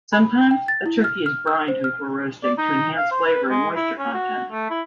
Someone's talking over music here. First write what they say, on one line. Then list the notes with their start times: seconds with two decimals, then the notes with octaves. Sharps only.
Sometimes, a turkey is brined before roasting to enhance flavor and moisture content.
0.13 B5
0.51 G5
0.68 A6
0.86 E4
1.04 F6
1.26 F6
1.47 E6
1.68 C5
1.84 F6
2.44 D5
2.58 D#4
2.97 F5
3.11 C5
3.26 B4
3.50 G#3
3.75 E4
3.99 C#4
4.14 F#4
4.51 A3
4.70 E4